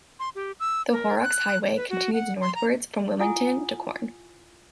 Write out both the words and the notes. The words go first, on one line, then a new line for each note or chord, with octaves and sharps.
The Horrocks Highway continues northwards from Wilmington to Quorn.
C6
G4
E6
A#4
F#6
B4
F#4
F#5
C6
A#5
E4 F4 F#5 G#5 D6 D#6